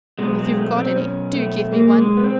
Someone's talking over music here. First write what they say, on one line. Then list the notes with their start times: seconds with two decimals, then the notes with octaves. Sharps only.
If you've got any, do give me one!'
0.19 B2 F#3 G#3
0.39 G#3
0.57 A3
0.77 C4
0.96 C#4
1.34 A3
1.72 A#3
1.98 G#3
2.17 B3
2.23 C4